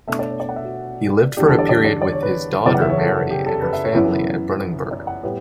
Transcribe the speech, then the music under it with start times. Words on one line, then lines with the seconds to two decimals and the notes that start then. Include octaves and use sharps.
He lived for a period with his daughter Mary and her family at Brunnenburg.
0.08 B2 A3 D4 E5
0.19 D5
0.30 C#5
0.40 D5
0.49 F#5
0.56 E5
0.64 F#4
1.37 E2 D3 G3 D4 G4
1.47 A4
1.59 D5
1.69 D5
1.85 D5
2.02 D5
2.12 C#5
2.23 B4
2.66 F#2 C#3 E3 B3 D5
2.74 F#5
2.82 E5
2.90 C#5
2.98 A4
3.31 G4
3.46 A4
3.62 B4
3.73 E5
3.84 C#5
3.94 F#2 E3 B3 E4 B4
4.91 D5
5.07 F#5
5.23 A2 G3 B3 G4